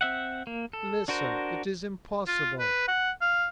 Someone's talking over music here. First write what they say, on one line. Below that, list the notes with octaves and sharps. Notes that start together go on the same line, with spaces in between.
Listen--it is impossible!
C4 E5 F#5
A#3
A4
D4 F#4 A#4 C5
F4
B4
F#5
F5